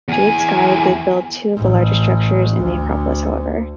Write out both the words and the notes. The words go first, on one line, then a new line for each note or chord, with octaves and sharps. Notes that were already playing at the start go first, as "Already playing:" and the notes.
"Jade Sky" did build two of the largest structures in the acropolis, however.
E2 G#5
A1
D2